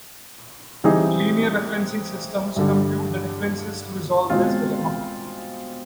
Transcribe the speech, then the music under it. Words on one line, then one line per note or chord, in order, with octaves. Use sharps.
Linear referencing systems compute the differences to resolve this dilemma.
E3 G3 C4 D#4 G#4
G2 D3 G3
B2 G#3 C4 F4